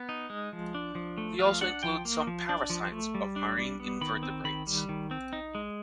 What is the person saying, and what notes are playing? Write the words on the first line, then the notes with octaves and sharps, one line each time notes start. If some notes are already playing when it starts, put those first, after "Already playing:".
They also include some parasites of marine invertebrates.
Already playing: B3
D#4
G#3
F3
D4
F3
A3
F3 F5
D4 F#5
F3 G5
A#3
F3
D4
F3
A3
G3
D4
G3
B3
D#3 B5
C4
D#3 B5
G3
D#3
C4
D#4
G#3